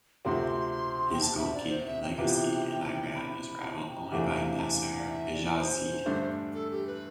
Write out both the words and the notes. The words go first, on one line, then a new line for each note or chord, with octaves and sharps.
His goalkeeping legacy in Iran is rivaled only by Nasser Hejazi.
D2 C3 F3 C4 C6
G5
A5
E5
D5
C5
E5
G5
C3 E3 B3 F4
B5
B5
A5
G5
E2 C3 E3 A3 D4 F5
D5
E5
D5
C5
G2 D3 A3 D4
A4
G4
B4